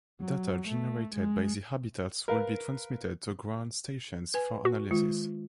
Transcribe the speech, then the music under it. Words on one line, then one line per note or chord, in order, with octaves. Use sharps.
Data generated by the habitats would be transmitted to ground stations for analysis.
F#3
A3
G#3
A#4 B4 F5
B4 G#5
F#4
D#3 G#3 F4